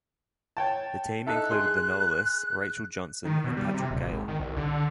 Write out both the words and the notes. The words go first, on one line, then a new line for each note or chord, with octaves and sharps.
The team included the novelists Rachel Johnson and Patrick Gale.
C#5 G5 A5
D#4 A4 E5 F#6
G#4 C6
D#3
B2
G3
C3
D#1
G#1
D#3
C2
D3